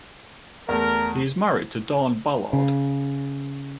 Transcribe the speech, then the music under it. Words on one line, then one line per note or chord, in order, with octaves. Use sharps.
He is married to Dahn Ballard.
E2 A3 A#4
C#3